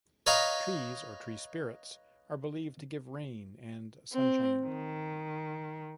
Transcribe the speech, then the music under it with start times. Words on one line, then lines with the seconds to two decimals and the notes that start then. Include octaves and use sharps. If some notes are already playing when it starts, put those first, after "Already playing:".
Trees or tree-spirits are believed to give rain and sunshine.
0.26 B4 C#5 D#5 F5 A#5 B5
4.13 C4
4.65 D#3